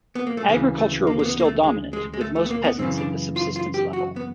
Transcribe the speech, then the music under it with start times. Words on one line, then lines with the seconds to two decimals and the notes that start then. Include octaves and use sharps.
Agriculture was still dominant, with most peasants at the subsistence level.
0.15 B3
0.27 A#3
0.37 A3
0.49 D2 C#3 E3 G#3
0.78 A3
1.07 A#3
1.19 A#3
1.25 B3
1.40 A#3
1.45 A3
1.63 G#3
1.93 G#3
2.14 G#3
2.21 A3
2.36 A3
2.45 B3
2.51 A#3
2.64 B3
2.78 F#2 C#3 E3 C4
2.98 D4
3.36 F4
3.56 F4
3.74 G4
3.93 F#4
4.16 B3